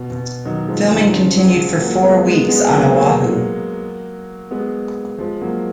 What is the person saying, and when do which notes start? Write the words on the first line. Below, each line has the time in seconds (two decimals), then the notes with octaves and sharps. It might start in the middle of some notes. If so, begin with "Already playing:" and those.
Filming continued for four weeks on Oahu.
Already playing: B2
0.12 B2
0.45 D#3 F#3
0.68 F3 G#3
0.90 D#3 F#3
1.13 C#3 F3
1.37 F#3
1.47 F3 G#3
1.81 F#3 A#3
2.03 G#3 B3
2.25 G#3 B3
2.48 G#3 B3
2.70 F#3 A#3
2.93 F#3 A#3
4.51 G#3 B3
5.18 F3 G#3
5.41 F#3 A#3